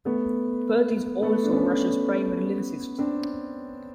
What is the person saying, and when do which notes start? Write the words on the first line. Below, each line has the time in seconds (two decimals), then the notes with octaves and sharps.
Peart is also Rush's primary lyricist.
0.05 A3 B3
1.22 A3 B3
1.43 D4
1.52 B3 C#4
2.98 C4 D4